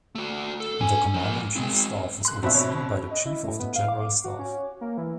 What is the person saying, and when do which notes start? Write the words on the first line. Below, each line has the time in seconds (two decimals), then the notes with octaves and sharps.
The Commander-in-Chief's staff was overseen by the Chief of the General Staff.
0.15 A3 F#4
0.60 A4
0.81 D4 G#5
1.14 F3 A#4
1.56 G#3 C4
2.25 C6 F#6
2.43 B2 C4 D4 E5 B5
2.54 F2 C#5
3.11 D#5
3.26 E4
3.43 A2
3.60 B3
3.76 F5
3.88 D6
4.24 F#4
4.39 C#4
4.81 A#3
4.98 E3